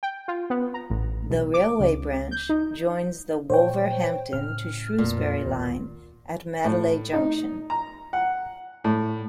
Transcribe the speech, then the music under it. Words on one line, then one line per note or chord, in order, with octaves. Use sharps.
The railway branch joins the Wolverhampton to Shrewsbury line at Madeley Junction.
G5
F4
B3
A#5
A1
B1
D6
C#2
G6
D#4
A#2 E3 F#3 C5 C#5 G5
A2 C#3 A3 F6
F2 A#2 A3 C4
G#1 D#2 B3
A2
D#4
A#5
F#5
A2